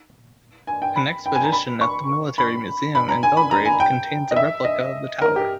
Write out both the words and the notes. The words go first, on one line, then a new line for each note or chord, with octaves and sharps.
An exhibition at the Military Museum in Belgrade contains a replica of the tower.
G#5
G5
B5
G5
G#5
A#5
B5
C#6
B5
B5
A#5
G#5
B5
A#5
G#5
G5
D#5
E5
D#5
A#4
G4